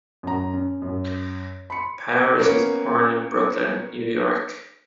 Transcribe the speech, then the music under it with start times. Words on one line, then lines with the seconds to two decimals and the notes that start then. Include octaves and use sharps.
Powers was born in Brooklyn, New York.
0.23 F#2 A#5
0.54 C#4
0.82 F#2
1.70 B5 C6 C#7
2.39 A#3 B3 C#4